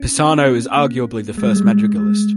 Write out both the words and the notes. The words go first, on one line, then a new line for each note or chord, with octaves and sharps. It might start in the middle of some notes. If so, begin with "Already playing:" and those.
Pisano is arguably the first madrigalist.
Already playing: C#4
C4
C#4
A#3
G#3
G3
G#3
G#3